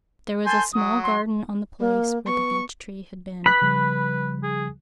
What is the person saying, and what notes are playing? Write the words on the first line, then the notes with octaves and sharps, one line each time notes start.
There was a small garden on the place where the beech-tree had been.
A4 G#5 C6 G6
F#3 D#6
C6
A#3
B3 C#6
B4 B5 F#6 B6
C#3 F3 G3
G#4